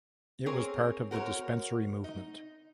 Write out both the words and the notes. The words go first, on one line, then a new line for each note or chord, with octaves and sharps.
It was part of the Dispensary Movement.
C4 G#4 A#4 C#5
F#4 A#4 B4 C#5
D#4